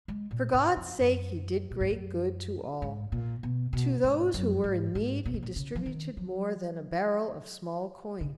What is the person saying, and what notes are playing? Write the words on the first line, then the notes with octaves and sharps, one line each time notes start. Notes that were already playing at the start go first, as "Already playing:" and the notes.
For God's sake he did great good to all: to those who were in need he distributed more than a barrel of small coins.
G#3
A#2
G#2
F2
F#2
A#2
G#2
F#2
G#2
A#2
B2
B2
G#2
F#2
G#2
G#2
A#2
B2
A#2
C#3
F3
D#3
F#3
C#3